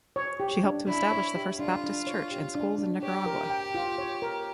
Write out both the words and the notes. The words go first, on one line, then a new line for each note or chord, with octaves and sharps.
She helped to establish the first Baptist church and schools in Nicaragua.
C#5
G4
D4
D4 E4
C#5
G4
D4 F4
D4
C#5
G4
D4
D4
G4 C#5
A#4
G5
F4
C#5
A#4